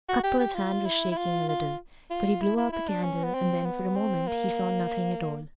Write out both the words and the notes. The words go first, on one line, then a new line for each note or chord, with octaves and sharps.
Cuthbert's hand was shaking a little, but he blew out the candle, and then, for a moment, he saw nothing at all.
F#4
G4
G4
F4
E4
E4
F4
F4
F4
E4
E4
E4
D4
C#4
B3
C4
B3
C4
A#3